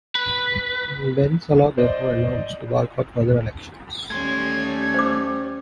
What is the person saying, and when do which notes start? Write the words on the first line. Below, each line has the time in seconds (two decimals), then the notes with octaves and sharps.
Ben Salah therefore announced to boycott further elections.
0.15 B4
1.78 C5 D5 D#5
4.10 D#2 G3 A3 C#4 C6 G#6
4.94 C5 D6